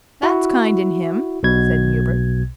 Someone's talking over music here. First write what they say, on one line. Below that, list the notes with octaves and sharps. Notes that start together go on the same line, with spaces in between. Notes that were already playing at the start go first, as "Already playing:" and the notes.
"That's kind in him," said Hubert.
E4 F#4
B1 B2 G#6